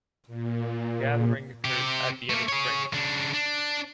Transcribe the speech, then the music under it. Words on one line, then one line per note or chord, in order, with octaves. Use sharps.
Gathering occurs at the end of spring.
A#2
C3 G4
A3 A#3
G#4 C#5
C#3 D4
D4